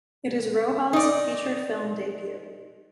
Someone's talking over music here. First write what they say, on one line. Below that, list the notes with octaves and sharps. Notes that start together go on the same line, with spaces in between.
It is Rohal's feature film debut.
D#4 D5